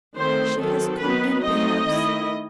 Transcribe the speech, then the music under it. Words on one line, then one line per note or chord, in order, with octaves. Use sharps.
She has come in, perhaps.
D#3 A3 C4 C5
D#3 F#3 C4 A4
D#3 F#3 B3 D#4 B4
F#3 A3 C4 D#4 D#5
D#3 A3 E4